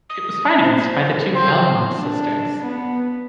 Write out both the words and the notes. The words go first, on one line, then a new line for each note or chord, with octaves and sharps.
It was financed by the two "'Bellamont" sisters.
D#6
C5
C4
D4
B3